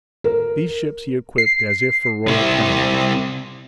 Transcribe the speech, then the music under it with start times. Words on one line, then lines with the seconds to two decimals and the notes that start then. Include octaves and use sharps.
These ships he equipped as if for royal tournament.
0.24 A#4
1.38 C7
2.28 C3 E4